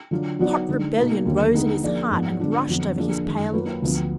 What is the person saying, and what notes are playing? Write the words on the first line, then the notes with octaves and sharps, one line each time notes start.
Hot rebellion rose in his heart and rushed over his pale lips.
D3 F#3 D4 F4
F#3 B3 D#4 F#4 D5
D3 G#3 D#4
B2 A#3 D#4
D#2 D3 F#3 A#3
D3 G#3 B3 D#4
F3 A#3 D4 G#4 D5
G#2 F3 B3
D3 G#3 B3 D4 F4
F2 D3 F#3 B3
D3 F3 A#3 D4 G#4
F#2 D#3 G#3
F#3 A#3 F4 B4
D2 D3 F3 B3 F4